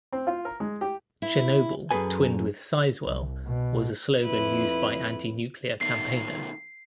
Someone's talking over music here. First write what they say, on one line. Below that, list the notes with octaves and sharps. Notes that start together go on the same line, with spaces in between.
"Chernobyl twinned with Sizewell" was a slogan used by anti-nuclear campaigners.
C4
F4
A#4
G#3
G4
E4
F#2 G#4 A4 B4 G#5
C2
B2
F2 E4 B4
B2 D#3 A3 C7